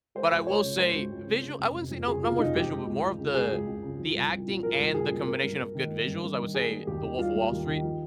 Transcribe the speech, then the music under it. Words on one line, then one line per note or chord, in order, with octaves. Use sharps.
But I will say visual I wouldn't say no no more visual, but more of the the acting and the combination of good visuals, I would say, "The Wolf of Wall Street,"
G#3 C5
C#2
C#2 C#5
C#3
G#3 C5
C#2
C#2
C#3
C#3
F1
F1
F2
C#3 G#4
F1 F4
F1 D#4
F2 G4
G#3
C#2
C#2
C#3
G#3 G#4
C#2
C#2
C#3
F3
C2
C2
A#2
F3 A#4
C2
C2 G#4
A#2
A#3 A#4
G2
G2
D#3
A#3
G2
G2
D#3
G3 G#4
A#3
D#2 G4
D#3
G3 F4
A#3
D#2
D#3
F3